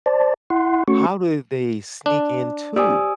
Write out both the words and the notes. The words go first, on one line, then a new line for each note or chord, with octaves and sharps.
how do they sneak into
C5 D5 A5
E4 F#5 C6
A3 C#4 F#4 C#6
D4
G4 C5 D5 G#5 D#6 E6